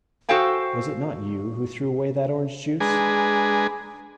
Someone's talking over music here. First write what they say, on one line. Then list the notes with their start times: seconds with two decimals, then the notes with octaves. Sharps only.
Was it not you who threw away that orange juice?
0.29 F#4 A4 C5 F5 G5 G#5
2.80 G#3 D4 G#4 B4 G#5 A#5